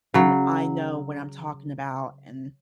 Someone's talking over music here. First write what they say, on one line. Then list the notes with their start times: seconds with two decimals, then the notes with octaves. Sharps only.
then I know what I'm talking about, and
0.14 C#3 F#3